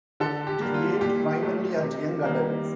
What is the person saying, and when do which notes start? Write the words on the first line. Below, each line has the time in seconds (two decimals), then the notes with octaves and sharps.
It is aimed primarily at young adults.
0.20 D3 A4
0.47 G4
0.61 G3 A#3
0.74 F4
1.01 A#2 G4
1.43 A3
1.82 C3
2.23 D#3 G3 A#3